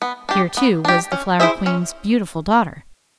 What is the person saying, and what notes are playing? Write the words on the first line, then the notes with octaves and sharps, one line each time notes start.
Here, too, was the Flower Queen's beautiful daughter.
B3
D4 G4
B3
D4 G4
C#4
E4 G#4 C5 E5
C#4